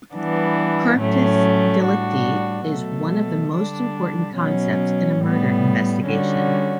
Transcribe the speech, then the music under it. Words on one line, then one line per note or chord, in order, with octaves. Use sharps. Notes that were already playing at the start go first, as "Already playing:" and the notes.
"Corpus delicti" is one of the most important concepts in a murder investigation.
E3 G3 B3 D4
A2 F#3 A3 C#4
A2 G3 D4 F#4
B2 F#3 A3
D3 G3 D4
B2 F#3 C#4
A2 G3 B3
D3 G3 C#4 F#4